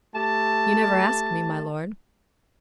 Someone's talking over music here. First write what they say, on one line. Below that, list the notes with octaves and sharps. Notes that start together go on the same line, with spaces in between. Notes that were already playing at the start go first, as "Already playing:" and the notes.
"You never asked me, my lord."
A3 G4 A5